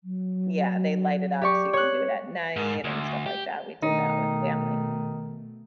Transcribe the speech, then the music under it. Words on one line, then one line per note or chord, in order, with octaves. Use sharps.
yeah, they light it up so you can do it at night, and stuff like that. We did that with family.
F#3
G4 D5 C#6
C#5 F#6
G#2
D2
G4
B2 D#3 A3 D#4